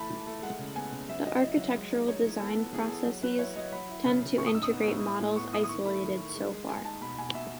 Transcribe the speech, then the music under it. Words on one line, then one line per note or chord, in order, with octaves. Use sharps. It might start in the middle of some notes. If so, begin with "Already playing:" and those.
The architectural design processes tend to integrate models isolated so far.
Already playing: E3 A3 A5 B5
E3
A3
G#3 F#5
C#3
B3 G#5
C#3
F#3 E5
F#3 D#5
E4 D#5
F#3
G#3
D#4
D#4 C#5
E3
B3 A4
B3
E3 G#4
B3 A4
F#3
F#3 B4
E4 C#5
F#3 D#5
F#3 B5
E4
C#3
C#3
A2 C#6
D#6
D#4 E6
D#6
B3
A2
E4
A2
B3 C#6
E4 D#6
D#6
D#3 C#6
A3 B5
D#3
D#3
G#3
G#3
G#3 G#5
D#4 A5
B2 B5
B2 G#5
B2 E5